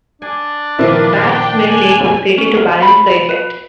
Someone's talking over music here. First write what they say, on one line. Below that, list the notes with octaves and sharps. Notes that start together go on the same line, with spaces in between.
Babbs Mill Lake was created to balance the effect.
D4 G#5
A#2 D#3 F3 A#3 C4 E4 B4
G5
G#5
C#4
F4
B5
B4